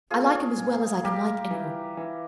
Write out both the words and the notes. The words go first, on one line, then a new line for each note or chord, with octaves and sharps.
I like him as well as I can like any one.
C4 F4 G#4
A#2
G3 G4 A#4
E3
E3